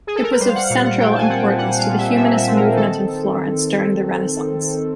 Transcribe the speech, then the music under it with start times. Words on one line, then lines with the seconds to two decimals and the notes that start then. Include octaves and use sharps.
It was of central importance to the humanist movement in Florence during the Renaissance.
0.07 G#4
0.16 A4
0.23 A#4
0.32 B4
0.40 G3 C5
0.49 F5
0.55 F#5
0.70 A#2 F5
0.85 F#5
0.99 A#2 G5
1.15 A5
1.18 G#5
1.29 C4 F#5
1.38 G5
1.58 G3 F#5
1.78 F5
1.88 A#2
1.98 E5
2.17 A#2 E5
2.37 E5
2.48 C4
2.56 A#4
2.76 D#3 A4